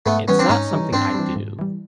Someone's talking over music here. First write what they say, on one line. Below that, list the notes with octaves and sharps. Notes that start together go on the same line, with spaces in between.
it's not something I do
G#2 A3 B3
E3 G3 B3 C#4
C4 D4
G#2 C#4 D#4
E3 G3
G#2 C4 D4
E3 G3
G#2
E3 G3